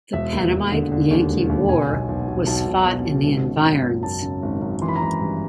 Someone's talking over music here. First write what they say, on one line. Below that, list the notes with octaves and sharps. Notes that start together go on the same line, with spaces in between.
The Pennamite-Yankee War was fought in the environs.
E1 E5
D#2
E1
D3
D3
D#2
E1
D#2
B2 G#5
B1
B1
B2
B1 A5
B1
B2
B2
G#1
C#3
F#2
F#2
F#2 A5
C#3
G#1
F#2
E3 C6
B5
A#5
G#1 B5
G2